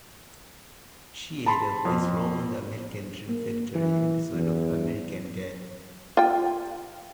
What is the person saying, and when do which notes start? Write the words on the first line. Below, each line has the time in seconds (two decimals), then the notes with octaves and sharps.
She had a voice role on the "American Dream Factory" episode of "American Dad!".
1.46 A5 B5 C6
1.85 F2
3.29 A#3
3.75 E3
4.34 E2
6.17 F4 G5